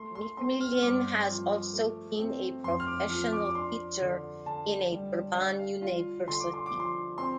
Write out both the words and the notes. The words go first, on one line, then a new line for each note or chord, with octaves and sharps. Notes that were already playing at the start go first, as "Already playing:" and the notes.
McMillan has also been a professional teacher in a Durban university.
Already playing: A3 C6
C6
C4 C6
F6
F6
G2 D6
F3
A3
C4
F2 C6
F6
D6
F3 F6
D6
D6
D4 C6
D3
D3 A5
G3
D4 F5
F5
F4 F5
D3 C6
D6
C6
D6
F3
C6
C4 C6